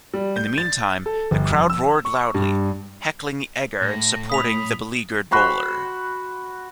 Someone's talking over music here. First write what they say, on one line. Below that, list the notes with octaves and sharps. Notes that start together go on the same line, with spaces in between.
In the meantime, the crowd roared loudly, heckling Egar and supporting the beleaguered bowler.
G3
G6
A6
A4
G1
F1
E6
C#6
G2
A2 A#6
B5 D#6 B6 F7
F#4 B5 C6